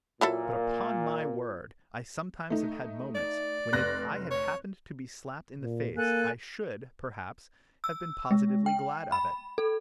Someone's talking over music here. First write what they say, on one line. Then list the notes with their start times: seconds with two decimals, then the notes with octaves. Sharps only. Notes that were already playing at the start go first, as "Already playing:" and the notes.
But upon my word I sometimes have had moments when if I had happened to be slapped in the face I should, perhaps, have been positively glad of it.
0.21 A#2 F#3 E4 A4
2.50 A3 D#4
3.15 D5
3.73 F1 F#6 A#6
4.31 C#5
5.61 A#2
5.96 A#3 A4 G#5 F#6
7.84 E6
8.31 G#3
8.66 G5
9.12 B5
9.58 A4